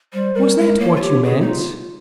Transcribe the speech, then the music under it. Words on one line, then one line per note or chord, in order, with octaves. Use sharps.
"Was that what you meant?"
G3 C5
G3 A#4
G#3
A#3 C#5
F4
G4
G#4 C#5
D#4
F4